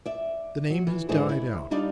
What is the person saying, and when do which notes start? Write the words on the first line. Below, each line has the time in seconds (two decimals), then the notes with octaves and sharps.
The name has died out.
0.06 D5 E5
0.70 F#3
0.87 E3
1.09 G#2 D3 E3 G#4 C5
1.29 E4
1.71 G3 D4 D#4 F4 D5